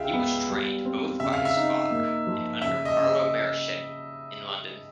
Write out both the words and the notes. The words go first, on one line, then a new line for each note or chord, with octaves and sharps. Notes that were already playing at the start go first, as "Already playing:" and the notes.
He was trained both by his father and under Carlo Marochetti in London.
Already playing: C#2 G#3 E5 F5 G5
B3
G3
C4
C#3 E5
F5
E5
D#4
A#3
F3
C#3 E5
D#5
C#3